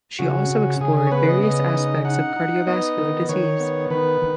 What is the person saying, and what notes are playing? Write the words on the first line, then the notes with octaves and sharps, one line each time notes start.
She also explored various aspects of cardiovascular disease.
C#3 F#4
C#3
C#3 G#4
G#4
C#5
B3 B4
D#5
C#3 D#5
D#4
D#4 F#5
D#4
B3 D#5
D#3
D#3 C#5
B3
D#3 B4
D#3